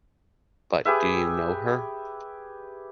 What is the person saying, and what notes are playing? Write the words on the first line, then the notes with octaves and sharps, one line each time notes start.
But do you know her?
G4 G#4 B4 E5